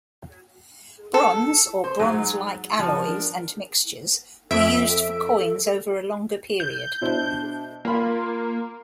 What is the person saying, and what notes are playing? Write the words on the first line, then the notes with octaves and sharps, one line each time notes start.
Bronze, or bronze-like alloys and mixtures, were used for coins over a longer period.
A4
C5
G#2 F#3 G#3 A#5
G#1 F3 F#4 C#6
D4 A#4
F2 A4 E5 D7
A4
G6
B2 D4 E4 C5
A#3 F4 A#4 F5 B5